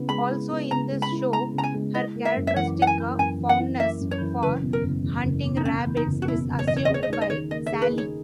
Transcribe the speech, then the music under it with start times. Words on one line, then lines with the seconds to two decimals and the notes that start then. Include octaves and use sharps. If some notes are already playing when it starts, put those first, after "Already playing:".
Also in this show, her characteristic fondness for hunting rabbits is assumed by Sally.
Already playing: C#3 B3 E4
0.09 G#3 B5
0.30 E4
0.50 B3
0.71 C#3 A#5
0.92 G#3
1.02 B5
1.12 E4
1.33 B3 A#5
1.53 C#3 A#5
1.63 G#5
1.74 G#3
1.94 E4 D#5
2.16 A#3
2.25 E5
2.36 F#2
2.47 E5
2.56 E3 F#5
2.77 E4 F#5
2.87 G#5
2.98 A#3
3.18 F#2 G#5
3.39 E3
3.49 F#5
3.60 E4
3.80 A#3 E5
4.01 F#2
4.11 C#5
4.21 E3
4.43 F#1 B4
4.63 B2
4.73 A#4
4.83 F#1
5.04 E2
5.25 F#1
5.46 B2
5.57 D#4
5.65 F#1 C#4
5.86 E2
5.97 D#4
6.07 F#1
6.22 F#4
6.28 B2 E4
6.48 F#1
6.59 C#5
6.67 E2 D#5
6.76 C#5
6.85 D#5
6.89 G#4
6.94 C#5
7.03 D#5
7.10 D#4 C#5
7.21 D#5
7.30 D#3 C#5
7.51 A#3 D#5
7.66 E5
7.72 G#4
7.82 B4
7.93 D#4
7.98 C#5